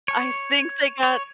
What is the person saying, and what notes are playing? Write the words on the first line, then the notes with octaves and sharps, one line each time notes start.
I think they got
C#5
C#5